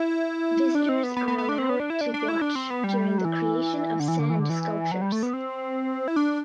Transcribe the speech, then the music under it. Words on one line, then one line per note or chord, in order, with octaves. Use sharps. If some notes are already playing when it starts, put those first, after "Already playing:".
Visitors are allowed to watch during the creation of sand sculptures.
Already playing: E4
D4
C4
B3
B3
B3
B3
D4
C4
B3
D4
E4
D4
D4
E4
D4
C4
B3
G3
F#3
E3
D3
E3
D3
E3
D3
E3
F#3
G3
A3
B3
C4
E4
D4